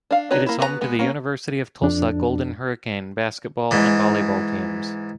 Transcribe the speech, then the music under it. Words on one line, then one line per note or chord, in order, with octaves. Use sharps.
It is home to the University of Tulsa Golden Hurricane basketball and volleyball teams.
D4 F5
D4 D#4 F#4 B4 C#5
A#3 E4
B3 F#4 B4 E5 A#5
G#3 B3
A#3 C#4
F2 D4
G#2 E3